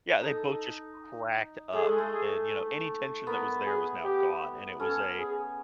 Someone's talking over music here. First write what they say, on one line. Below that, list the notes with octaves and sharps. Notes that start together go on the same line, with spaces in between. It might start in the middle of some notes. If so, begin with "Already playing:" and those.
yeah, they both just cracked up and, you know, any tension that was there was now gone and it was a
D#4 A4
A3 G#4
G#3
A3
G#4
B3 A#4
G#4
G4
C#4 A4
G#4